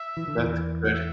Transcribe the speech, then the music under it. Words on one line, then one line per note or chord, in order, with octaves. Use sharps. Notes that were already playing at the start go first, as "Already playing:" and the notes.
That's good.
Already playing: E5
E3
D3
E2 E3
F#5
E5